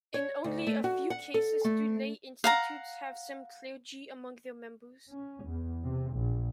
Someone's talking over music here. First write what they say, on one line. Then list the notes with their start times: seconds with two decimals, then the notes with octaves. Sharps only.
In only a few cases do lay institutes have some clergy among their members.
0.14 C#5
0.44 D2
0.67 A3
0.84 F#4
1.10 F#5
1.34 A4
1.64 A3
2.44 F5 F#5 A#5
5.09 C#4
5.45 E2
5.83 C3
6.13 A#1